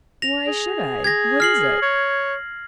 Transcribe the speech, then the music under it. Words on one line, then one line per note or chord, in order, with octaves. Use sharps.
"Why should I? What is it?"
A#6 F7
G#4
G#4 G#6 A#6
F6 C7 F#7
C#5